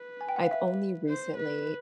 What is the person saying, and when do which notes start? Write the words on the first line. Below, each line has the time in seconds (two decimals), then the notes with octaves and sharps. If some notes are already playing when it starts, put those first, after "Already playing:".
I've only recently
Already playing: B4
0.21 G#5
0.29 G5
0.36 F#5
0.43 F5
0.51 E5
1.09 C5
1.37 B4